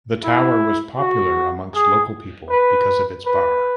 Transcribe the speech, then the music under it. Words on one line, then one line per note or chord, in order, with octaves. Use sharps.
The tower was popular amongst local people because of its bar.
E4
F#4
G#4
B4
B4